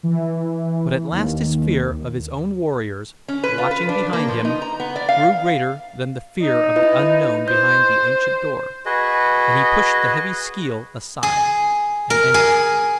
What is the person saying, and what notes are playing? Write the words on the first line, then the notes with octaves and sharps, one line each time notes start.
But at last his fear of his own warriors, watching behind him, grew greater than the fear of the unknown behind the ancient door and he pushed the heavy skeel aside and entered.
E3
D#2
C#4
B4
F4
B4
D4
A#3
F3
D#4
A#5
B3
D5
F5
D#4
E4 B4 D#5
C5 G6
F#4 G#4 B4 D#5
G#4
A#4
G#4